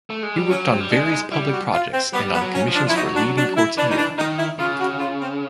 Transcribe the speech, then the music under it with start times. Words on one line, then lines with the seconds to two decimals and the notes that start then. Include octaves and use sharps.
He worked on various public projects and on commissions for leading courts in Europe.
0.10 A3
0.23 G#3
0.36 G3
0.50 F#3 C#4
0.71 C4
0.80 G3
0.90 G#3 D4
1.05 E4
1.12 D#4
1.32 G3 E4
1.52 F#4
1.73 F4
1.93 C4
2.13 G3 B3
2.34 B3
2.41 F#3
2.54 C#4
2.68 F3
2.75 D4
2.87 F3 E4
2.95 F#3 D#4
3.16 D4
3.36 D4
3.57 E4
3.77 E3 D4
3.90 D#4
3.97 D4
4.18 D#3 D#4
4.38 E4
4.59 C#3 F4
4.80 F#4
4.99 F4
5.21 C4